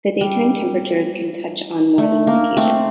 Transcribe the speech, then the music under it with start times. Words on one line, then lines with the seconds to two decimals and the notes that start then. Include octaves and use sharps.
The daytime temperatures can touch on more than one occasion.
0.21 G3
1.98 A3
2.27 A#3
2.57 A3 C4